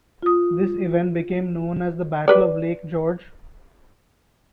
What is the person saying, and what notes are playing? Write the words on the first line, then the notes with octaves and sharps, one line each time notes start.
This event became known as the Battle of Lake George.
F4 D#6
G4 B4 D5